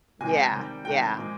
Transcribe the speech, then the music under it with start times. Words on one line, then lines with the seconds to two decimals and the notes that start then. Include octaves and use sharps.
Yeah, yeah.
0.21 C3 F3 G#3 G#5
0.37 G5
0.53 C3 D#3 G3
0.85 C3 D#3 G#3 G5
1.16 A#2 F3 G#3